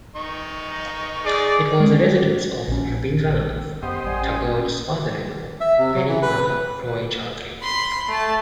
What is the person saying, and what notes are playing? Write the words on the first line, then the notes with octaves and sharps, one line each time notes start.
It was the residence of Rabindranath Tagore's father-in-law; Beni Madhab Roy Chowdhury.
D#4 C#6
G#4 D5
G#3 C#4
A#1 C#4
F#2 B3 G4 C5 D#5
A1 G3 G#5
C#4
E5
C3
F#3
E3
B4
B5 C6
A3 A5